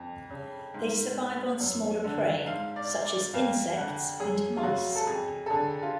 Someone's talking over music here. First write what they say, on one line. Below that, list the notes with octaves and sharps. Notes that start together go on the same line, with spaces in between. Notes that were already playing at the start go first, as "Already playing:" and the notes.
They survive on smaller prey, such as insects and mice.
Already playing: F2
C#3
G#2
F#2
D3
G#2 F5
D5
D5
F2 F5
D3 F#5
F#2 G#4
F4
C#3 F#4
A4
F2 G#4
A4
D3 G#4
F4